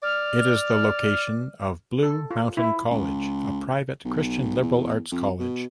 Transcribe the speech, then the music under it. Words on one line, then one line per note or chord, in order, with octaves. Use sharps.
It is the location of Blue Mountain College, a private Christian liberal arts college.
D5 F6
A4
F4
E4
C#2
B1
E2
F2
B2